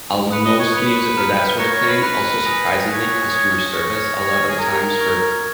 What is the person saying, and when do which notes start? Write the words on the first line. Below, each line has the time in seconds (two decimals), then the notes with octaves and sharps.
I'll mostly use it for that sorta thing, also, surprisingly, customer service a lot of the times for,
0.31 B4 D#6 F#6 C#7 F7
0.45 D#5
0.59 C#5
0.73 B4 F#6 C#7 F7
1.17 A#5 F6 B6
1.59 C#5 A#5 F6 A#6 C#7
1.73 C#5
1.88 B4
2.01 B4 F#6 B6 F7
2.45 G#5 D#6 A#6 F7
2.87 C#5 D#6 F#6 B6 F7
3.30 D#6 G#6 C#7 F7
3.73 C#5 F6 A#6 C#7
4.16 F6 A#6 F7
4.48 G#4
4.58 A#4 D#6 G#6 D#7
5.00 C#6 F6 G#6